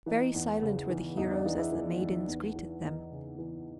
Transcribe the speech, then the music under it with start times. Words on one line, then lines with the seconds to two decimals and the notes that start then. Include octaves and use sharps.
Very silent were the heroes as the maidens greeted them.
0.06 E3 D#4
0.34 E2
0.62 C#3
0.90 E3
1.17 E2 D#4
1.31 D4
1.45 E3 D#4
1.59 E4
1.72 E3
2.01 E2
2.28 E2
2.56 E3
2.83 E2 D#4
3.12 C#3
3.38 E3